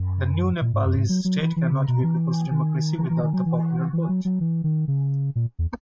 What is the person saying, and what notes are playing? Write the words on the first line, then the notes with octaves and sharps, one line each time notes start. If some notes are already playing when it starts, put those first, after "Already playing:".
The new Nepalese state cannot be a People's Democracy without the popular vote.
Already playing: F#2
A#2
G#2
F#2
G#2
F#3
F#3
E3
E3
C#3
B2
E3
D#3
E3
E3
D#3
F#3
E3
E3
F#3
F#3
E3
D#3
C#3
A#2
E2